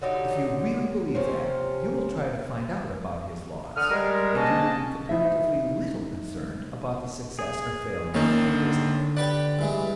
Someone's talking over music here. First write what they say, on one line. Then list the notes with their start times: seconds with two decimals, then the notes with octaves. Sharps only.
If you really believe that, you will try to find out about his laws, and you will be comparatively little concerned about the success or failure of your business.
0.02 D3 F#3 D#4 G4
1.15 C3 F3 A#3 C#4
3.77 D3 F#5 D#6 F6
3.90 G3 G#3 A#4
4.36 G#2 A#3 C#4 F#4 D#5 A5
5.09 D#4 E4 E5
7.39 G#4
8.14 G#1 D#3 A#3 C#4 D#4
8.46 D3
9.17 G4 B4 D5 F#5
9.59 G2 E3 G#3